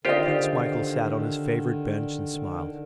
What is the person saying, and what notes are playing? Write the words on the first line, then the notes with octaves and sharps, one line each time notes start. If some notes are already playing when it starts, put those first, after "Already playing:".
Prince Michael sat on his favourite bench and smiled.
D3 D#3 F4 G4 C5 D5 D#5